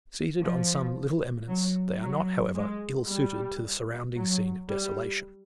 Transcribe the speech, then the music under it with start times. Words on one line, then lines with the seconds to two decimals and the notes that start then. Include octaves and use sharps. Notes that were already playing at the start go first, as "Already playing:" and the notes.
Seated on some little eminence, they are not, however, ill suited to the surrounding scene of desolation.
0.41 F3
1.48 F#3
2.02 F#3
2.55 G#3
3.09 G3
4.16 F#3
4.69 G3